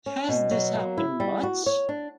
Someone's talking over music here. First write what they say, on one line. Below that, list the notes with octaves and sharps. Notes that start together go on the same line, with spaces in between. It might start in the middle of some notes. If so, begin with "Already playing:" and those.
Has this happened much?
C#4
B2
F#3
A#3
E4
G3
F#4
C#5
D4